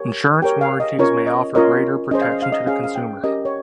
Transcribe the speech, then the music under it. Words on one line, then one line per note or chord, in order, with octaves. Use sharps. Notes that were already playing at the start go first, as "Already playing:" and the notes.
Insurance warranties may offer greater protection to the consumer.
Already playing: G4 A#4 C#5
G4 A#4 C#5 G5
F5
D#5
C#4 F4 A#4 C#5
D#5
C#4 F4 A#4 C#5 D#5
C#4 G#4 C5 D#5
F5
D#5
F5
D#5
C#4 G#4 C5 F5
F5
G5
C#4 G4 A#4 D#5
C#5